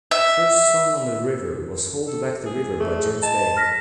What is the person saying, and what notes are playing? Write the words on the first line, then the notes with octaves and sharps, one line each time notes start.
The first song on "The River" was "Hold Back the River" by James Bay.
E5
A4
G#4
A3 G#4
D#5 A5
F6 A#6 B6